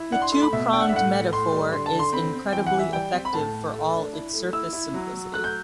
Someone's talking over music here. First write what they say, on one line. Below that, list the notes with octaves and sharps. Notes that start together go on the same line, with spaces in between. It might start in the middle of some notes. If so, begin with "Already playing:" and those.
The two-pronged metaphor is incredibly effective for all its surface simplicity.
Already playing: E4
D4 F#5
C6
A3 C6
B5
B2 E5
D4 G5
F#5
E5
A2 F#5
A2
A2 C6
G3
D3 C6
A5
D3
C6
C4 B5
C4
E3 G5
F#5
E3
E5
G3 G5
C4
B5
A2 A5
A2
A3
D4
E4
A3
E4 E6
E4
F#3
F#3
A3 F#6
G6